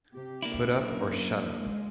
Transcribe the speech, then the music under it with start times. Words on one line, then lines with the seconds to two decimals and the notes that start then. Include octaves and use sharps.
Put up or shut up.
0.13 C3 G4
0.43 A#3 D4 E4
0.74 F#3 C#4 A#4
1.55 G#3